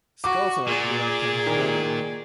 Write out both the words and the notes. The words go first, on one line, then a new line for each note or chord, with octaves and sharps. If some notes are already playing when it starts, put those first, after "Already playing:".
Sculthorpe grew up in Oldham.
F#4 D6
A#2 G#4 D5
D#3